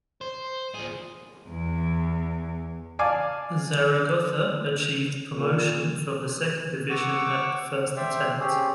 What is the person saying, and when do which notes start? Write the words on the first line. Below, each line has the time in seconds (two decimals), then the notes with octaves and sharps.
Zaragoza achieved promotion from the second division at the first attempt.
0.21 C5
0.74 F3 G#4
1.48 E2
2.99 D5 F5 G#5 A5 D6
5.34 A#2
6.90 F#5 C#6 D6 E6
7.96 C5 D5 E5 G5
8.39 C4 C#4 G4 G#4